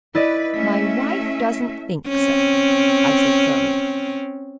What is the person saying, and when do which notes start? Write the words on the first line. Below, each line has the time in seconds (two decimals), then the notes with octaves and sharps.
"My wife doesn't think so," I said firmly.
0.15 E4 B4 D5 D#5
0.54 A3 C#4 E5 B6
2.08 C4 C#4